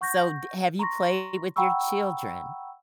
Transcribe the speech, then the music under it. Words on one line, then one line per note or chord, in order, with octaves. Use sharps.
so d have you played with your children?
F#5 C#6 F#6 G6 A#6
A#5 C6 C#6 A#6
F#5 G5 A#5 B5 C#6 E6